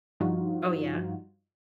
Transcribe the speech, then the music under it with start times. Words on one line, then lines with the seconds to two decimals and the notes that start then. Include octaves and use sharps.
Oh, yeah.
0.20 G2 F3 G3 D#4 F4 F#4